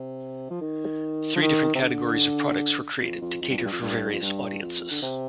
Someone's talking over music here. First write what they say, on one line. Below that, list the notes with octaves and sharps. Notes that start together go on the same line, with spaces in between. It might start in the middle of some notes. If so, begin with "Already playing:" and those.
Three different categories of products were created to cater for various audiences.
Already playing: C3
F3
D#3
F3
D#3
C3
D3
F2
F2
F2
G2
F2
G2
F2
G2
F2
G2
F2
D3
C3